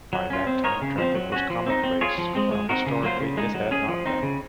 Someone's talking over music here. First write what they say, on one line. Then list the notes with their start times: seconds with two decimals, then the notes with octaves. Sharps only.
By that time, traffic was commonplace while historically it had not been.
0.13 F#3
0.30 C#4 F4
0.47 C4
0.64 D#4 A#4 C#5
0.81 C#3
0.98 F3 C4
1.15 F#3
1.32 C#4 F#4
1.50 F3
1.66 C4 D#4
1.84 C4
2.01 F4 G#4 C#5
2.18 F3
2.35 G#3 C4
2.52 G#3
2.69 C4 D#4 F#4 A#4
2.86 C#3
3.03 F#3 A#3 F4 C5
3.20 C#3
3.37 G#3 D#4
3.54 F#3
3.71 C#4 G#4
3.88 F3
4.06 C4 D#4
4.22 C#3